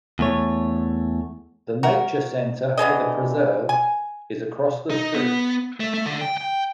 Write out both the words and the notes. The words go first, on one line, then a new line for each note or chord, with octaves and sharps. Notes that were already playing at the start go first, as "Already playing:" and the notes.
The nature center for the Preserve is across the street.
E2 A3 C#5
F#4 A#4
D3 E3 G#4 D#5
G#5
D#4
B3
A3
A3
D3
G5
G5